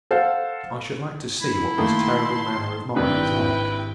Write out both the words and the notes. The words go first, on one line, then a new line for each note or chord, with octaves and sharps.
"I should like to see what this terrible manner of mine is like."
A4 C5 F5 F#5
E4
D#3 A3 A#3 A5 C6
G#1 C3 D#3 D4 E4 B4 G5